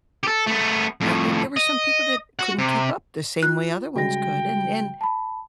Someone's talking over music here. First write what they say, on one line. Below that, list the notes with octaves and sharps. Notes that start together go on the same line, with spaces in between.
uh u there were some people that couldn't keep up the same way other ones could, and and
G4 A4
A3 B3
F2 A2
D#5
F#4 F#5
C3
F4 F#6
C#3 G3 G#3 F#4 G5 A#6
A5 B5